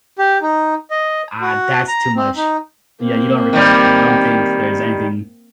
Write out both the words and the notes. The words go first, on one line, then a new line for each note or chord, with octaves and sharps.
ah, that's too much. Yeah, you don't recover from that. I don't think there's anything
G4
D#4
D#5
F#4
A#5
C4
D#4
A#3 C4
D#3 G3